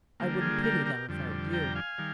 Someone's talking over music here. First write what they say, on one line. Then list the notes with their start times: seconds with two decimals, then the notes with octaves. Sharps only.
I wouldn't pity them if I were you.
0.20 D3 G3 A#3
0.41 F4 G#4
0.64 G4 A#4
0.86 G4 A#4
1.09 F2 D3 G3
1.53 G5 A#5
1.75 F5 G#5
1.98 D#3 G3